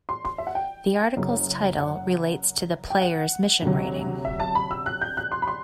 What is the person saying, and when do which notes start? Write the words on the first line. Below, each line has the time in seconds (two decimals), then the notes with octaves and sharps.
The article's title relates to the player's mission rating.
0.09 C6
0.25 C6
0.38 E5
0.47 F#5
0.55 G5
1.17 F#1 F#2 F#3
1.79 F#5
2.90 G5
3.02 F#5
3.62 D2 C3 F#3
4.25 E5
4.40 A5
4.55 B5
4.71 E6
4.86 F#6
5.01 G6
5.17 F#6
5.32 C6
5.42 B5
5.47 C6